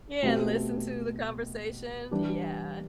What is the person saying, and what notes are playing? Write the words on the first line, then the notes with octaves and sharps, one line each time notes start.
Yeah, and listen to the conversation, yeah.
B2 A3 C4 G4
E3 G3 D4 G4